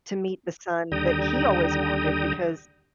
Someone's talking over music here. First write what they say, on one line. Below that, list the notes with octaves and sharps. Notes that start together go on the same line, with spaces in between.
to meet the son that he always wanted, because,
D#2 D3 G3 G5 A#5 D#6